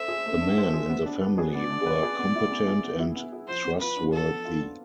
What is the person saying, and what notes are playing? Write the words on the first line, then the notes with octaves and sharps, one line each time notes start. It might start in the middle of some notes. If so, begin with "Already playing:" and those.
The men in the family were competent and trustworthy.
Already playing: A3 D4 C5 E5
G#4
A3
D4
C5
G#4
B3
D4
B4
G#4
B3 D5
D4
B4
G#4
B3
E4
B3
G#4
B3
E4
B3
G#4
F3 C5
B3
F4 B4
D4
F3 A4
B3
F4
D4